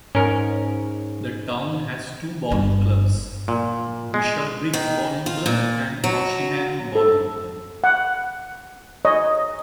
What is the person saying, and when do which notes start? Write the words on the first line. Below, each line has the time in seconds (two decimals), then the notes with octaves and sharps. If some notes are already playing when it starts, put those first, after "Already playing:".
The town has two bowling clubs; Bishopbriggs Bowling Club and Auchinairn Bowling Club.
0.15 G#2 C#4 A#4
2.50 G1 G2
3.48 A#2
4.14 G#3
4.73 D#3
5.26 F4
5.46 A#2
6.04 F#3
6.95 A4
7.84 F#5
9.05 C#5 D#5